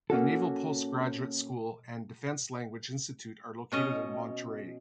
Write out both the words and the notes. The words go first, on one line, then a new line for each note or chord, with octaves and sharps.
The Naval Postgraduate School and Defense Language Institute are located in Monterey.
A#3 C#4 F#4 A4
B2 C#4 D#5